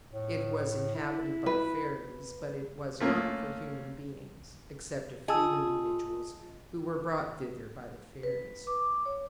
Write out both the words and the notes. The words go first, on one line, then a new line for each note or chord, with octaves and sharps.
It was inhabited by fairies, but it was not for human beings, except a few individuals who were brought thither by the fairies.
A2
E4
B4
A3 A#3 C#4 F4
F4 G#4 D#5 A5 E6
B4
D6
C#5